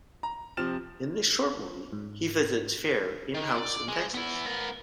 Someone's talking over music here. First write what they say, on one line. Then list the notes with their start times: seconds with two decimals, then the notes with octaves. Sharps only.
In this short movie he visits Fair in house in Texas.
0.23 A#5
0.57 C3 F3 C4 F6 A6 E7
1.93 G#2
3.34 D#3
3.58 D5
3.88 G#3
4.14 B3 E4
4.46 B3 A#4